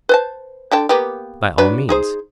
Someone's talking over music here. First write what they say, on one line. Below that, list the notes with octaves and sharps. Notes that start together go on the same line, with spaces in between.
By all means.
B4 C5 A5
D3 G5 A5
A#3 B3 G4
F#3 D4 B4
D#4 G#4 C5